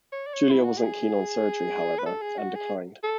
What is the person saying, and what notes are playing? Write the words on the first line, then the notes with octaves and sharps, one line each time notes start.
Julia wasn't keen on surgery, however, and declined.
C#5
D5
C#5
E4
F#4
G#4
B4
A4
G#4
F#4
G#4
A4